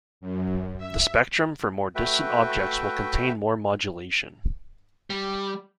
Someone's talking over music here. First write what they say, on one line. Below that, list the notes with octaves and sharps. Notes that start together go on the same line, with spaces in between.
The spectrum for more distant objects will contain more modulation.
F#2
E5
A3 F#4 B4 E5 G5
G3